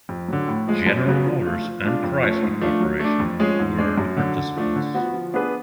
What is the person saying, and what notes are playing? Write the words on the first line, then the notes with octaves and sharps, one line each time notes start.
General Motors and Chrysler Corporation were the participants.
F2
D3 F#3
A2
F3 G#3
F#2
C#3 F#3 B3 F#4
F3
A3 F4
F3
G#3 D4 F4
F2
F3 A3 C#4
G#2
F3 A3 D4 F4
F#3
A3 D4
F2
F3 G#3 C#4 G#4
G#2
G#3 D4
F#2
D3 F#3
D3
F3 A3 D4
D3
F3 B3 F#4
F3
B3 D4 G#4 B4